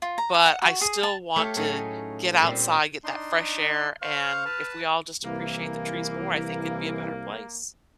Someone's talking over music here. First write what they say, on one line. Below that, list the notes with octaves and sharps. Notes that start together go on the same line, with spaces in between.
but I still want to get outside, get that fresh air. And if we all just appreciate the trees more, I think it'd be a better place.
F4
A#5
A#4
F#5
F#4
G#4
A5
A3 G4 C#5 F5
A2 F#3 A3 C#4 D#4 G#4
A#2 G3 C4
D4 D#4 C6
C5 F5 C#6 F6
B4 A5
C2 E3 A#3